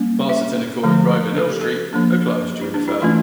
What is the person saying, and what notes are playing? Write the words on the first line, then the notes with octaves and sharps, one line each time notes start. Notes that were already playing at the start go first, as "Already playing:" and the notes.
Parts of Tinakori Road and Hill Street are closed during the fair.
Already playing: G3 A#3 C#4
E5
D3 F3 A3
A4
G4
A4
F3 A#3 D4
E4
D4
E4
E3 A3 C#4 F4